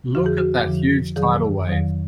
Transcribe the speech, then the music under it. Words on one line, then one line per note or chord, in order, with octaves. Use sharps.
Look at that huge tidal wave.
F2 D3 F3 F#4
G#4
F#4
F2 D3 F3
F2 D#3 F#3 G#4
F2 D#3 F#3